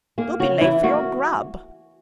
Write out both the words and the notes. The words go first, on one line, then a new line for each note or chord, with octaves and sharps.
You'll be late for your grub!'
A#3 G#4
C#3 F#4
E3 E4
A#3 F#4